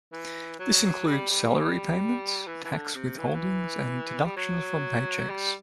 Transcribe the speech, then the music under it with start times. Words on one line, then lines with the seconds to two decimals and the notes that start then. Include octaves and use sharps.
This includes salary payments, tax withholdings, and deductions from paychecks.
0.12 E3
0.59 F#3
1.07 G3
1.30 G3
2.47 E3
2.64 E3
2.71 D3
2.95 C3
3.18 E3
3.26 F#3
3.34 E3
4.25 G3
4.36 F#3
5.29 G3